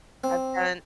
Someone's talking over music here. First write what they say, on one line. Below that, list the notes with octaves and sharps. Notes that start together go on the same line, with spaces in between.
I've done
C4